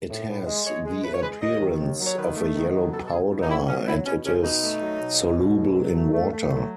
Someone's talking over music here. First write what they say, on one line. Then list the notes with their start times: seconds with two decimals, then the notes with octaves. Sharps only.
It has the appearance of a yellow powder, and it is soluble in water.
0.09 A2
0.28 A2
0.46 G#3
0.65 G#3 C#5
0.84 G#3
1.03 A2 B4
1.13 C#5
1.22 G#3 B4
1.41 D#2 D#5
1.59 D#3
1.79 D#2
1.98 F#3
2.05 C#5
2.17 D#3 B4
2.36 A3
2.55 D#3
2.74 F#3
2.92 B2 A4
3.06 A4
3.11 C#2 G#4
3.31 B2
3.42 D#4
3.50 C#2 E4
3.67 F#3 C#4
3.87 F#3 E4
4.06 B2 C#4
4.25 C#2 C#4
4.43 B2 D#4
4.62 A3
4.81 F#3
5.01 B2
5.19 C#2
5.37 B2
5.56 C#2
5.75 F#3
5.94 A3
6.13 A3
6.32 A3
6.52 F#3